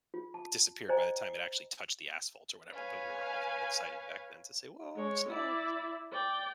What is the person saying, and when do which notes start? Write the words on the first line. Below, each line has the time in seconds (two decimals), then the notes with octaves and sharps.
disappeared by the time it actually touched the asphalt or whatever, but we were all excited back then to say, "Whoa, snow!"
0.14 F4
0.34 A5
0.89 C5 D5 D#5 G5 G#5 A#5
2.73 B4 C#5 F5 G#5
4.96 G#3 C#5
5.29 E4 D5
6.12 D5 G5